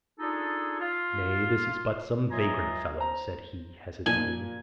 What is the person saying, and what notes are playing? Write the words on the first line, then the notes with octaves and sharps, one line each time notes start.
"Nay, this is but some vagrant fellow," said he, hesitatingly.
D4 D#4 F4 G#4 A4
F4
E3 F#3 F4 D#5 G#5 A#5
C5 A#5
A#2 F3 G#5